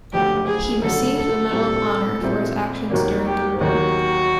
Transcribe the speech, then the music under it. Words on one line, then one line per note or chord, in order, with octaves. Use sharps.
He received the Medal of Honor for his actions during the war.
F#1 F2 D3 F#3 A3 G4
G#4
F#1 F2 D3 F#3 A3 A4
A4
A#2 G3 C4 E4
A#2 G3 C4 E4
D#2 D#3 F#3 A#3
G4
D#2 D#3 F#3 A#3 F#4